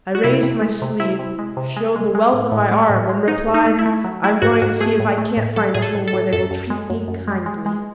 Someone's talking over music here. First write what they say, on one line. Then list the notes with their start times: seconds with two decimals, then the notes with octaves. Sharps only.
I raised my sleeve, showed the welt on my arm, and replied, "I am going to see if I can't find a home where they will treat me kindly."
0.15 F#4
0.24 C3 E4
0.43 C3
0.62 G#3
0.82 C3
1.00 C3 E4
1.19 C3
1.39 G#3
1.57 C3
1.76 G#3
1.96 G#3
2.15 G#3
2.33 A2
2.52 A2
2.71 G#3
2.90 A2
3.09 G#3
3.28 G#2 D#4
3.47 G#2
3.54 D#4
3.66 A3
3.79 E4
3.86 A3
4.04 F#3
4.23 A3 E4
4.42 G#2 F#4
4.62 G#2 F#4
4.81 A3 G#4
5.00 A2
5.18 A3
5.37 A2
5.56 F#3 A4
5.74 A2 G#4
5.82 A4
5.95 A2
6.07 A4
6.13 A2
6.33 F#2 A4
6.51 F#2
6.70 G#3
6.90 F#2
7.08 F#2
7.28 G#3
7.46 G#3
7.66 G#3